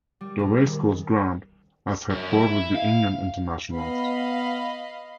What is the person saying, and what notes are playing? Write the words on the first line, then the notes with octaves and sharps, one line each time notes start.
The Racecourse Ground has held four rugby union internationals.
G3
A#1
D#3
F#2
E4
F5
B3 D#5 F5 B5